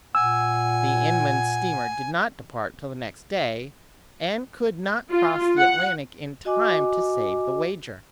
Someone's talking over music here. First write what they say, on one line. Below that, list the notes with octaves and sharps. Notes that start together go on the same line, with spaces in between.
The Inman steamer did not depart till the next day, and could not cross the Atlantic in time to save the wager.
A#2 F#5 G#5 E6
F4
F#5
F#4 D#5 G#5 D6